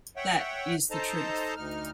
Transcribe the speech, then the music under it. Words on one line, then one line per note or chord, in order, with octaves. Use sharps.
That is the truth.
C#5 E5 F#5 G5
D#4 A4 C5 D#5 A5 A#5
D2 D#4 F6